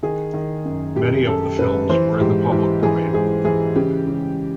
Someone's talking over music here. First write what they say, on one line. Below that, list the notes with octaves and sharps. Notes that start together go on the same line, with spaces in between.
Many of the films were in the public domain.
D#3 G#4
D#3
F#2
F#2 G4
F#2 A4
F#2 B4
E3 C5
G#2 G4
E3 G4
E3 G#4
G#2 G#4
E3 G#4
C#3 G4
C#3